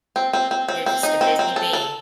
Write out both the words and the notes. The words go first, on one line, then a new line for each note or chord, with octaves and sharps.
You're just a busy bee.
C4
C4
C4
C4
C4
D#4
C4
C4
A4
A4